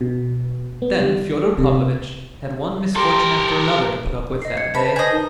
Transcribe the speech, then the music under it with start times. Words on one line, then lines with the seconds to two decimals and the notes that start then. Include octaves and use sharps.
Then Fyodor Pavlovitch had one misfortune after another to put up with that day.
0.01 B2
0.82 B3
1.00 G3
1.58 C3
2.95 G4 A4 A#4 C6
4.42 D#5 C7
4.57 G#6 C#7
4.75 B4 C5 A5 B5
4.96 G#4 C5 D#5 G6
5.12 D#4 A#4